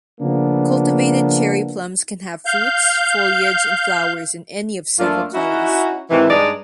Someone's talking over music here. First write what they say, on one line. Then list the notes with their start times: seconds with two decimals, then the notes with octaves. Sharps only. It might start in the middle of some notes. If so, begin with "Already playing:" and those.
Cultivated cherry plums can have fruits, foliage, and flowers in any of several colours.
0.20 C#3 F3 A#3 B3 D4
2.46 F5 G6
4.99 F#2 A3 A#3 D4 F4
5.34 C#4 D#4 E4 F#4
6.10 G#2 C3 D#3 E3
6.30 G2 G#3 D4 D#4 G#4 D5